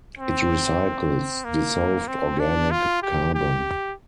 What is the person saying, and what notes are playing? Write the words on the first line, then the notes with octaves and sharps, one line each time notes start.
It recycles dissolved organic carbon.
C4
A#3
C4
D4
F4
G4
G4